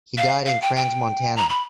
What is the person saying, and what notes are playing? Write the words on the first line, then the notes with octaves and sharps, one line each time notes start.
He died in Crans-Montana.
F5
F5
G5
G5
A#5
B5